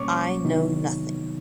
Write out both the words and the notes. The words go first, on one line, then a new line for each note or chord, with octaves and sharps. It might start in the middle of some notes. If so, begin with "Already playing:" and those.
I know nothing.
Already playing: B2 G3 A#3 C#4 C#5 C#6 D6
C3 D#3 F#3 B3 D#4